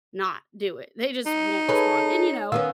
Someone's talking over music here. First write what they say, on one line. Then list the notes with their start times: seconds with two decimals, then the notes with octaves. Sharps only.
not do it. They just won't respond, and, you know
1.26 D#4
1.69 G#4 A4 B4 C#5
2.52 D#3 B3 C#4 F5 E6